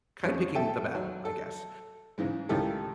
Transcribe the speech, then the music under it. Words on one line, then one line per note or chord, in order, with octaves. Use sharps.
kinda picking the battle, I guess.
F2 C#4
A4 E5 G5 A5
F#3
A4
G#2 C#3 E3 G#3
C#2 A2 D#3 D#4 G4 A4